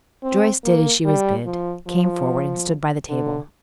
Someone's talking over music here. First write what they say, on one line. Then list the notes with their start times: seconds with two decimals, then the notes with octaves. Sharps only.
Joyce did as she was bid, came forward, and stood by the table.
0.23 C4
0.64 A#3
1.05 G3
1.46 F3
1.87 F3
3.09 D3